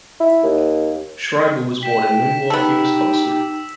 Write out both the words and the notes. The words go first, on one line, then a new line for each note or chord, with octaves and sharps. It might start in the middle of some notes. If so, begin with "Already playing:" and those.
Schreiber was born in Milwaukee, Wisconsin.
E4
D#2
G5 B6 E7
B3 D#4 G4 A4 E6